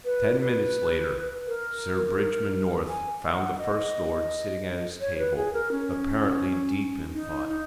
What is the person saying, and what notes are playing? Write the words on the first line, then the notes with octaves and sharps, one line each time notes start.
Ten minutes later Sir Bridgman North found the First Lord sitting at his table, apparently deep in thought.
B4
B4
A#4
G#5
F#5
D#5
C#5
B4
G#4
A#4
C#4
D#4
D#4